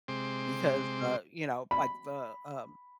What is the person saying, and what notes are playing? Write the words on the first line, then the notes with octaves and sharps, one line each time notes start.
because, uh, you know, like, the, um,
C3 G#3 C4 C6 D6
B5